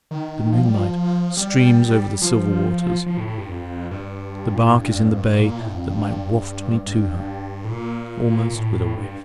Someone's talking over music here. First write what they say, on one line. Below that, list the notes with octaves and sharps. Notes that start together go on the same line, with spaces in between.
The moonlight streams over the silver waters: the bark is in the bay that might waft me to her, almost with a wish.
D#3
F3
G3
F3
G3
F3
F3
A2
A2
G2
F2
G2
A#2
A2
G2
F2
G2
A#2
A2
G2
F2
G2
G2
A2
A#2
A#2
A2
G2